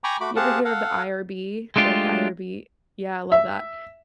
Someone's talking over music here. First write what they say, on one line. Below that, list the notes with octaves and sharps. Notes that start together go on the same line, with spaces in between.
you ever hear of the IRB, like the IRB? Yeah, I love that.
G5 G#5 A#5 B5 C#6 D6
A3 F#4 B5 D6
C4 G4 G#4 F5 F#5 A5
A4 F5 F#5
G#3 A3 D4 F4 G4
E5